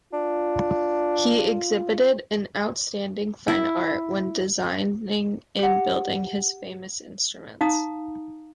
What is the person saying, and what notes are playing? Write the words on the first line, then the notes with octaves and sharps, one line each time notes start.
He exhibited an outstanding fine art when designing and building his famous instruments.
D4 F4
E4
G4 F#5
D#4 F5 A#5 D#6